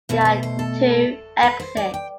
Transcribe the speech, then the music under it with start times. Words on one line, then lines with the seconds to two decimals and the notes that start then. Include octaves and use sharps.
There are two exits.
0.09 B2 A3 E5
0.21 B4
0.25 C5
0.43 C5
0.59 A4
1.43 B4
1.60 C5
1.77 D5
1.94 G5